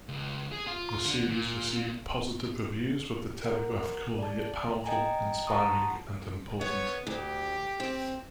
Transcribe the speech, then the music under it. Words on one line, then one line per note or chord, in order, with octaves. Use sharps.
The series received positive reviews, with The Telegraph calling it powerful, inspiring, and important.
C#2
G#4
F4
D3
A#2
A#4 F#5
D5 A5
D#5 G5 G#5 A#5
F#5 A5 A#5 C6 C#6 D#6
B3 C#5
D2 G4
C4